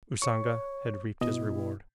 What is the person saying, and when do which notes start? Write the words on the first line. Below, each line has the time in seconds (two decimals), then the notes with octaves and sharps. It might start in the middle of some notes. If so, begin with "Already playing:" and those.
Usanga had reaped his reward.
0.22 C#5 C#6
1.21 B2 E4 D#5